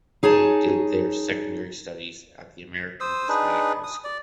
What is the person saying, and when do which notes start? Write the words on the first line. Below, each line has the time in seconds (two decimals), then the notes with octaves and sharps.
They did their secondary studies at the American Hispanic High School.
0.23 D#4 G#4 C#5 A5
3.00 C5 D#6 E6
3.29 D4 D#4 G#4 B4
3.84 D#6
4.04 D5